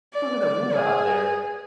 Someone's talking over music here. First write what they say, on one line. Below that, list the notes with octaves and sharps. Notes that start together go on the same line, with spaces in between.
we’re gonna move out there.
D5
D5
G#4